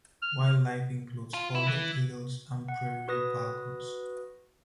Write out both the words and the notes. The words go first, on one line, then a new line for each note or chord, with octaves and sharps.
Wildlife includes golden eagles and prairie falcons.
F6
F4
E4
E3
F#5
F#4 B4 D#6 A#6